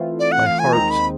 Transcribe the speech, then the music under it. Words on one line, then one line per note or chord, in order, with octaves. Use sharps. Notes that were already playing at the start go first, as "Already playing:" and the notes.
My heart.
Already playing: E3 A3 C4 F4
D5
F#5
F5
G#5
D#2 D#3 G#3 C4 D#4 A#5
B5